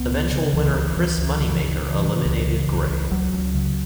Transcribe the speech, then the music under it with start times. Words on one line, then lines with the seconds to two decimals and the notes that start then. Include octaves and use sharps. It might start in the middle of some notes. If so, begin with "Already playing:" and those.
Eventual winner Chris Moneymaker eliminated Grey.
Already playing: C#2 B3
0.11 C#3
0.32 C#3
0.53 C#2 E3
0.75 C#2
0.96 C#2 E3
1.18 C#2
1.39 C#3 E3
1.61 C#2
1.68 D#3
1.83 C#3
1.97 E3
2.04 C#3
2.25 C#2
2.47 C#3
2.68 C#2
2.90 C#2
3.11 C#2 F#3
3.33 C#2
3.54 C#3